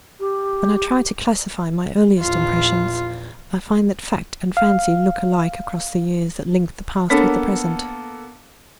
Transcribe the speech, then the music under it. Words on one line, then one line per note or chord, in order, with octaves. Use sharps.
When I try to classify my earliest impressions, I find that fact and fancy look alike across the years that link the past with the present.
G4
A#1 E2 F4
F5
A#3 B3 D4 A4 C#5